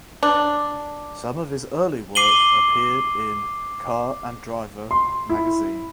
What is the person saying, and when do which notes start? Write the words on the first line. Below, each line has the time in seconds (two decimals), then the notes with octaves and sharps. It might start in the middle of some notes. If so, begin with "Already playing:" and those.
Some of his early work appeared in "Car and Driver" magazine.
0.23 D4
2.15 D6 C7 D#7 F#7 G7
4.91 C6
5.29 E4